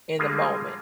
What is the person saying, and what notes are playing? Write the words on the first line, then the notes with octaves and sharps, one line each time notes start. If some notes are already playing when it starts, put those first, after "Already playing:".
in the moment.
D3 G3 G#3 A#3 F4